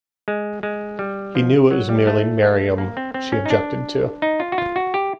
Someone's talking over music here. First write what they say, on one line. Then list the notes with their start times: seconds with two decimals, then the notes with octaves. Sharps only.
He knew it was merely Miriam she objected to.
0.28 G#3
0.63 G#3
0.99 G3
1.35 F3
1.71 F#3
1.89 G3
2.07 A3
2.42 A3
2.78 A#3
2.97 C4
3.14 C4
3.32 C#4
3.46 D#4
3.50 D4
4.22 D#4
4.40 F4
4.52 F#4
4.58 F4
4.76 F#4
4.94 G4